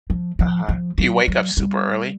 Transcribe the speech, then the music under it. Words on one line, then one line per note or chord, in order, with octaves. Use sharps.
Uh-huh. Do you wake up super early?
F3
F3
F3
F#3
F#3
G3